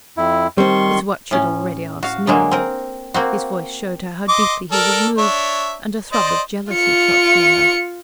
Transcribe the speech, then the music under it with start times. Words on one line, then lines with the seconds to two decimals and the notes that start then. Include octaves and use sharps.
"It's what she'd already asked me." His voice showed her how deeply he was moved, and a throb of jealousy shot through her.
0.17 F2 E4
0.58 D#3 G3 C4 C6 C#6
1.31 A2 C#4
2.03 F#4 F5
2.27 D3 F#3 G#3 A#3
2.51 C4 A#4
3.14 A#3 C4 F#4
4.29 D#5 C6 D6
4.72 A4 A#4 D5
5.18 D4 C#5 E5
6.12 C5 D5 D#5
6.73 F4 C#7